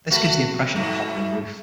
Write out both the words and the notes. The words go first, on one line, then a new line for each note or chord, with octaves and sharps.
This gives the impression of a hovering roof.
A3 F#4 B4
G#2 B2 A3